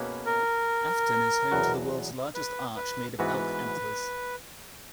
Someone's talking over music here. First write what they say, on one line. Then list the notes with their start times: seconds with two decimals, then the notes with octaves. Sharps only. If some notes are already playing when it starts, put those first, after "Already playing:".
Afton is home to the world's largest arch made of elk antlers.
Already playing: B2 A#3 C#4 G#4 B4
0.26 A#4
1.51 E2 B2 F#3 C#4 F#4
2.35 B4
2.76 B4
3.18 G#2 E3 B3 F#4 B4